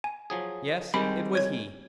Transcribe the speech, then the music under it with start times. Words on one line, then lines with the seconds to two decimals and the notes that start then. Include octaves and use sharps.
Yes! it was he.
0.04 G#5
0.30 F3 F#3 G#4
0.94 D#3 G3 G#3 C4 B5
1.35 C#5 G#6